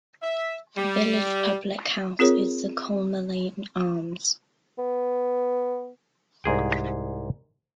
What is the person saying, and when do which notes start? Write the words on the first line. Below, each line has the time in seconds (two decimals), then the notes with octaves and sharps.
The village public house is the Cholmeley Arms.
0.23 E5
0.77 G3
2.19 C4 F4 G#4 A#4 C#5
4.78 B3
6.44 C2 G#2 G#4 G5